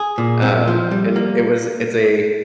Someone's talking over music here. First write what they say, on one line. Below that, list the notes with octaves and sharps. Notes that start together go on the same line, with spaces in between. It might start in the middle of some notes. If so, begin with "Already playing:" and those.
Um, and it was it's a
Already playing: G#4
A#2
C4
F3
G3
A#3